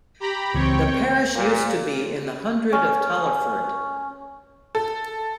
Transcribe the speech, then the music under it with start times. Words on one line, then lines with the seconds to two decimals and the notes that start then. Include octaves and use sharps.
The parish used to be in the hundred of Tollerford.
0.20 G4 A#5 B5
0.54 C#2 E3 C4 C#5 G5
1.35 A#2
2.73 C#4
4.75 A4